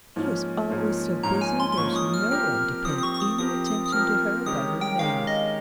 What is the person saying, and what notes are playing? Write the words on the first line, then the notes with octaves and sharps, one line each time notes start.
He is always so busy there's no one to pay any attention to her but her maid.
G#2 F3 A#3 C#4
G#2 F3 A#3 C#4
G#2 F3 A#3 C#4 A#5
G#5
C6
C6
G#2 F3 A#3 C#4 C#6
D#6
F6
F3 C4 G4 A#4 F6
F3 C4 G4 A#4 D#6
D#6
C#6
C#6
D#6
F3 C4 G4 A#4 D#6
D#6
D#6
F3 C4 G4 A#4 F6
D#3 G#3 C#4 G4 A#4 D#6
G5
D#3 G#3 C#4 G4 A#4 F5
D#5